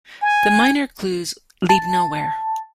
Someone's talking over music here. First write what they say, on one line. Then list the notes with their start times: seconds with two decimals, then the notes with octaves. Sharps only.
The minor clues lead nowhere.
0.22 G#5
1.69 A5